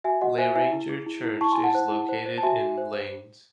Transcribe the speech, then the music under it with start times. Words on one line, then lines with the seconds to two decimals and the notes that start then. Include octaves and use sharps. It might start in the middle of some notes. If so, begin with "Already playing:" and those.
Leiranger Church is located in Leines.
0.04 F#4 E5 G#5
0.21 F#4 D#5 F#5
0.38 C5 E5 G#5
0.55 E4 E5 G#5
0.72 E4
0.89 G#4
1.06 E4
1.24 E4
1.41 E4 A5 C#6
1.52 G#5 C6
1.58 E4
1.63 F#5 A5
1.75 C5
1.92 E4
2.09 C5
2.26 C5
2.38 A5
2.43 F#4 E5 G#5
2.60 F#4
2.77 C5
2.94 C5